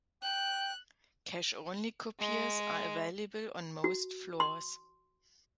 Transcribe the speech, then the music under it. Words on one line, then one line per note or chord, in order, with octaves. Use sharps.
Cash-only copiers are available on most floors.
G5 F#6
G#3
F#4
C6